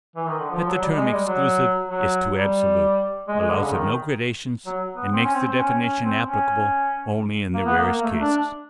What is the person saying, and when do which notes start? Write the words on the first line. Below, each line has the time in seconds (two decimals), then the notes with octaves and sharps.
But the term "exclusive" is too absolute, allows of no gradations, and makes the definition applicable only in the rarest cases.
0.16 E3
0.28 D#3
0.39 D3
0.51 F3
0.67 F#3
0.82 G3
0.92 G3
0.97 G#3
1.13 G3
1.27 F#3
1.89 F#3
2.36 G3
3.28 G#3
3.40 G#3
3.51 D3
3.63 C#3
3.73 D#3
4.66 F#3
4.96 B3
5.13 C4
5.24 C#4
5.35 C4
5.47 C4
5.59 C#4
5.82 C#4
6.04 C4
6.28 C#4
7.54 A#3
7.66 B3
7.78 A#3
7.89 A#3
8.04 A3
8.20 D4